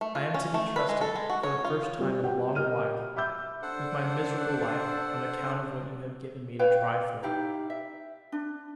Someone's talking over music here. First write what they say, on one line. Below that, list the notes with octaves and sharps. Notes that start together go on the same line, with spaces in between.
I am to be trusted, for the first time in a long while, with my miserable life, on account of what you have given me to try for.
A3
F4
C#4
A3
B4
G#3
A4
G#3
F#4
C#5
F4
G3 C4
G4 F#5 G5
G4 A#4 D#5 F6 D#7
E5 B5 D6 E6 G6
D4 A4 C5 F#5
B4 C#5 F5 G5
D#4 E4 G4 F5
E5
D4